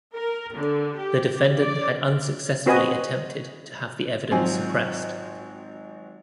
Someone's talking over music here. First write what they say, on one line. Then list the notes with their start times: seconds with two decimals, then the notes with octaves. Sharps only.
The defendant had unsuccessfully attempted to have the evidence suppressed.
0.16 A#4
0.55 D3
0.96 G4
1.60 D5
2.66 C4 F#4 B4 D#5 G#5
4.31 G#1 F3 F#3 C4 C5 G#5